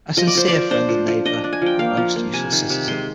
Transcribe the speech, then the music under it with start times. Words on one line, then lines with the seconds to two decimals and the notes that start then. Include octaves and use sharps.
A sincere friend and neighbor and most useful citizen.
0.17 F3 D#5
0.27 D5
0.35 F3 C5
0.48 F3 D5
0.71 D4 C5
0.89 F3
1.08 F3
1.25 D4 D#5
1.44 D4
1.53 G#5
1.62 F3 G5
1.79 A#3 F5
1.97 F3
2.16 A#3
2.34 C3 G#5
2.52 D#3
2.70 C3
2.88 G#3 C6